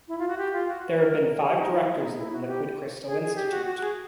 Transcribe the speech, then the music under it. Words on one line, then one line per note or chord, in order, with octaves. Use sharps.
There have been five directors of the Liquid Crystal Institute.
E4
F4
F#4
G4
F4
F#4
B4
A#4
G#4
G4
D#4
E4
E4
D#4
E4
F#4
G4
G#4
G#4
G4
F#4
F#4
G#4